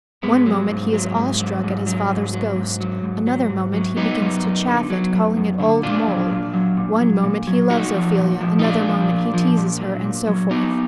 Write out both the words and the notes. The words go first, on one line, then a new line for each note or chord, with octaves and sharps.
One moment he is awe-struck at his father's ghost, another moment he begins to chaff it, calling it "old mole"; one moment he loves Ophelia, another moment he teases her, and so forth.
G#2 G#3 B3
F#3
G#2
F#3
G#2
F#3
G#2
F#3
G#2
F#3
G#2
F#3
G#2
F#3
G#2
F#3
F#3 B3 D#4
F#2
F#2
D3
F#3
F#2
F#2
D3
A#2 D4 F4
F#3
A#2
F#3
A#2
F#3
A#2
F#3
A#2 D#4 F#4
F3
A#2
F3
D#4
A#2 D4 F4
F3
A#2
F3
A#2
F#3
A#2
F#3
A#2 B3 D#4